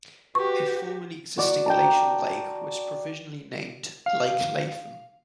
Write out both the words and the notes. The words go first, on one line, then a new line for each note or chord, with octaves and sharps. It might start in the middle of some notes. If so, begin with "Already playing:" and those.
A formerly existing glacial lake was provisionally named "Lake Lapham".
F#4 G4 B4 C#6
F#4 D5
G5 A5 A#5
F5